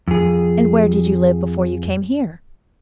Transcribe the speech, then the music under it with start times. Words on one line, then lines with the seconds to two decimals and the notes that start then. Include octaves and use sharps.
'And where did you live before you came here?'
0.08 F2 G#4